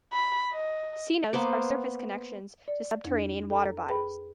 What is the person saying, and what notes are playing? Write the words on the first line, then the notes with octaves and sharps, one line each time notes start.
Cenotes are surface connections to subterranean water bodies.
B5
D#5
A#3 B3 C5 D6
D5
F2 D4
A4 A#5
G#4 B4 G5 B5